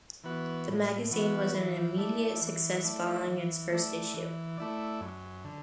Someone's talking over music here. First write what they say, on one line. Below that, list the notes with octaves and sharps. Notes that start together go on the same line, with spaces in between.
The magazine was an immediate success following its first issue.
E3 B3 F#4 B4
A2
E3 B3 F#4 B4
E3
A3 E4 D5
E3
A3 E4 D5
E3
A3 E4 D5
E3
A3 E4 D5
F#2
D3